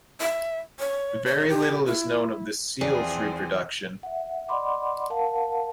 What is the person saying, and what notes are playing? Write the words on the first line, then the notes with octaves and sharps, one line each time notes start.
Very little is known of this seal's reproduction.
E5
C#5
C#5
G4
E4
E2 E3 F3 C4 G#4 D5
E5 F#5
D5 D#5 F#5 B5 C6 D6
A#4 F5 F#5 A5